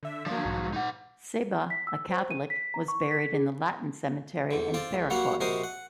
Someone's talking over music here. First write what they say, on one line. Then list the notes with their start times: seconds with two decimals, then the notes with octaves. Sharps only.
Sebah, a Catholic, was buried in the Latin cemetery in Ferikoy.
0.03 D3 E5
0.26 F3 F#3 A#3 D4
0.45 B1 G#2
0.73 D#4 F#5
1.70 B6
1.87 E6
2.10 C5
2.31 D#7
2.50 B6
2.74 A#5
2.88 C#6
3.11 B6
3.34 G#4
4.51 E2 D3
4.74 C4 F4 D5
4.94 C#2
5.10 F#3 G3 A#3 F#4 F5 F#5
5.40 A#1 C3 F#4 A#4 C5 D#5
5.64 F#5